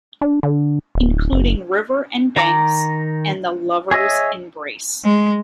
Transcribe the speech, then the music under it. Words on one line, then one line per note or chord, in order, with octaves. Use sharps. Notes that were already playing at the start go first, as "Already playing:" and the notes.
Including River and Banks, and The Lovers Embrace.
D4
D3
D1
F#1
D#3 A#5 D6
G#4 C#5 D#5 E5
G#3